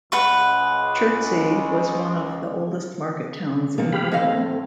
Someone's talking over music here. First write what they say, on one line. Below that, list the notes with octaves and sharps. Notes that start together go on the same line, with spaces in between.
Chertsey was one of the oldest market towns in England.
C#2 G#3 B4 F#5 C#6
B2 F3 F#3 G#3 A#3
G4 F5 B5
A2 A3 C4 D#5 F5